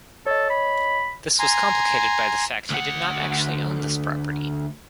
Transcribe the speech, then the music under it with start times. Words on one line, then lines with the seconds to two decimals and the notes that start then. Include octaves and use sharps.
This was complicated by the fact he did not actually own this property.
0.26 A4 C#5 D#5
0.50 B5
1.39 G#5 A#5 C6
2.70 D2 F#5